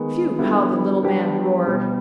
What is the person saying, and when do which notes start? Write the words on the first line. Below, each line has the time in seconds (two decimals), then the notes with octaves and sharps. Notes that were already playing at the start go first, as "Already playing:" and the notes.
Phew! how the little man roared.
Already playing: D#3 G#3 B3
0.38 D3 G3 B3 E4
1.03 G3 B3 D4 G4
1.67 B2 G3 B3